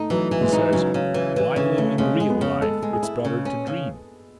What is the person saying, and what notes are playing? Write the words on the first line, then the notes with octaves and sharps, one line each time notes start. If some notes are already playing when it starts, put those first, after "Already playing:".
He says, 'Why live in real life? It's better to dream.
Already playing: A3 D#4
E3 F#3
E3
G#3
D#4
C#3 F#3
C#3
E3
E3
C#3
A3
C#3 G#3
G#3
B3
C#3
G#3 A4
G#3
G#4
E4
C#3
C#4
C#3